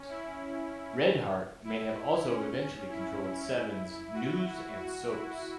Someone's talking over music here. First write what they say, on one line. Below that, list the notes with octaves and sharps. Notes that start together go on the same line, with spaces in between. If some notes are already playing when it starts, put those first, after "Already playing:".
Red Heart may have also eventually controlled Seven's news and soaps.
Already playing: C#4
E4
E4
C#4
E4
F#4
F#4
E4